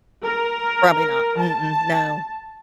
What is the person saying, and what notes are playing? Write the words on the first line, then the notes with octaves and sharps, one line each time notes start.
Probably not. Mm-mm, no.
A#4
A5